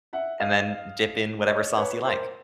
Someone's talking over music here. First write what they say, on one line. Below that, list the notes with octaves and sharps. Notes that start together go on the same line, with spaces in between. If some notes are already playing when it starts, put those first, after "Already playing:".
And then dip in whatever sauce you like.
E5 F#5
D#5 F5
C#5 D#5
B4 C#5
A#4 C5